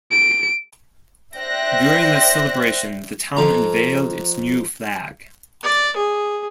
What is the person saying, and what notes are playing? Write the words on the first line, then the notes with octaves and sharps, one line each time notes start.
During that celebration, the town unveiled its new flag.
D7
C5 D5 E5 G5 F#6 A#6
F2 F4 A#5
D5
G#4